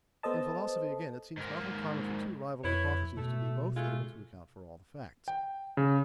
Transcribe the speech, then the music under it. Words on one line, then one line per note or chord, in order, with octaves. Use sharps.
In philosophy, again, it seems not uncommon for two rival hypotheses to be both able to account for all the facts.
B3 A4 C5 D#5 A5
G#2 A#3
F2 E4 B4 C#5
B2 A3
G#3 A3 F4
G5
C#3